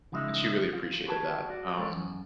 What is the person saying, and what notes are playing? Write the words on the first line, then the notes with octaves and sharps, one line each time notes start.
and she really appreciated that, um,
C#3 E3 F3 G#3 D#4 E5
F4
F#4 G#4 B4 G#5 A5
F#4 D5
G#3 A4 A#4 C#5
F#2